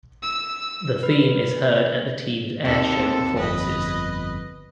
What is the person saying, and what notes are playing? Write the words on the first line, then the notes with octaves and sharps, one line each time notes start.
The theme is heard at the team's airshow performances.
E6
B4
D#2 C4 A4
C4
G1 F2 B4 D#5